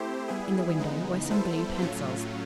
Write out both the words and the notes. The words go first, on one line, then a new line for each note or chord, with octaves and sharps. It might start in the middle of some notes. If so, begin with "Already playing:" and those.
In the window were some blue pencils.
Already playing: A3 C4 E4 G4 C5
G3 B3 E4 G#4
C#3 E3 G#3 B3 D#4
G3 B3 E4 A4 C5
A2 F#3 A3 C#4 F4